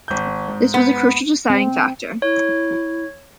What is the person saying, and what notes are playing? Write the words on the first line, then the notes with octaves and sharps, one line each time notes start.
This was a crucial deciding factor.
G#1 G6
G#2
B3
C4
E4 C#5